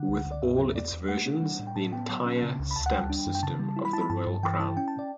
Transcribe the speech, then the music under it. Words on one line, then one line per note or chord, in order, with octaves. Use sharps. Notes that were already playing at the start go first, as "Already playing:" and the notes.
With all its versions, the entire stamp system of the Royal Crown.
Already playing: D3 F#5
C#2
C#2
D5
G2 E5
F#3
E2 D5
E2
A3 F#5
D4
G3
A2
G5
A2 A5
B3 G5
F#3 A5
C#4
C#3
C#2
B5
D2 A5
F#5
G3 G5
D4
F#2
G5
C#3 A5
G3
E4
B5
E4 A5
B5
G2 A5
G2
E3 G5
E4 A5
C#4 G5
A5
D5